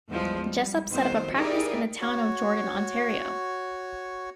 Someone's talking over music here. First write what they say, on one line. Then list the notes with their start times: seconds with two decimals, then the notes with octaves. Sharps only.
Jessop set up a practice in the town of Jordan, Ontario.
0.10 E2 F3 G3 G#3 C5
0.42 G3
0.91 F2 D#3 F#3 B3 C5
1.34 D#4 E4 G4 G#4 A#4 D5
2.01 F#4 C#5